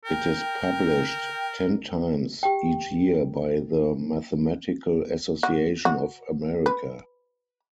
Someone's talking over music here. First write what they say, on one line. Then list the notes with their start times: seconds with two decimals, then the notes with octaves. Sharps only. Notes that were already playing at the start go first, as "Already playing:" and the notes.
It is published ten times each year by the Mathematical Association of America.
0.05 A#4 G5
2.43 G4 G5
5.43 F#4
5.85 F#4
6.66 B4